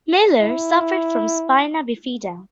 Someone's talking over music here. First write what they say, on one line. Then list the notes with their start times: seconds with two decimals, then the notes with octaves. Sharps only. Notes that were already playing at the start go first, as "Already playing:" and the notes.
Miller suffered from spina bifida.
0.41 E4